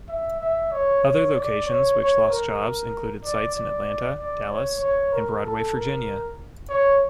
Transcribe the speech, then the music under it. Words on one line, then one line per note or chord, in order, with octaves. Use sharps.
Other locations which lost jobs included sites in Atlanta, Dallas, and Broadway, Virginia.
E5
E5
C#5
C#5
D5
C#5
C#5
A#4
D5
D5
D5
C#5
C#5
A#4
A4
A#4
C#5